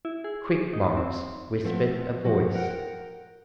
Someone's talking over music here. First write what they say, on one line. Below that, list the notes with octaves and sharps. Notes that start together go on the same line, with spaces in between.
"Quick, Morris," whispered a voice.
E4
G#4
D#4
C4
F3 A3 B3 C4
F3 F#4
A#4 F#5 G5